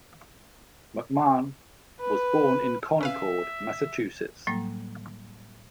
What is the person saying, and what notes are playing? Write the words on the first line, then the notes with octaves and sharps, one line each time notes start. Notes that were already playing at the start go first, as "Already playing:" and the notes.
McMahon was born in Concord, Massachusetts.
B4
C#4 B4 E5 F5
A2 F#3 G3 A#3